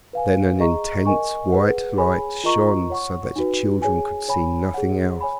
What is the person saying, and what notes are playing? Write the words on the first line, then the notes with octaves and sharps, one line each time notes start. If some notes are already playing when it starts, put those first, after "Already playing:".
Then an intense white light shone so that the children could see nothing else.
B4 F5 G#5
G#4 D#5 A#5 C#6
A#4 D#5 G#5 C#6
G#4 B4 F#5
G#4 C#5 G#5 B5
F4 A#4 D#5 A#5 C#6
C#5 F#5 C#6
D#4 F#4 B4
G#4 C#5 G#5
C#5 G#5 B5
G#4 C#5 F#5
C#5 G#5 B5